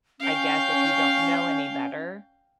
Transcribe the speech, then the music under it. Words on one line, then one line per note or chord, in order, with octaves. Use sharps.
I guess if you don't know any better,
C#4 F5 G5